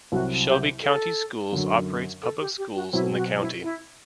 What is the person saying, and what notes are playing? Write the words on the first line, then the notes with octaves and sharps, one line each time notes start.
Shelby County Schools operates public schools in the county.
C2 C3 F#3 F#4
G4
A4
F#2 D3 F#3
A4
G4
G4
F#4
B2 F#3 C4 E4
F#4
E4
E4